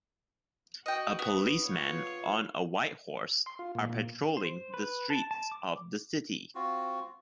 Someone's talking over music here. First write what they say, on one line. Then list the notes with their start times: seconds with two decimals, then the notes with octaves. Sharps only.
A policeman on a white horse are patrolling the streets of the city.
0.86 F#4 D#5 G5
1.19 B3
1.65 F4 C#5
3.46 C6
3.59 F4
3.75 A#2
3.89 A#2
4.37 C5
4.74 B4
5.10 A5
5.31 A5
5.52 D6
6.55 C4 F4 F#4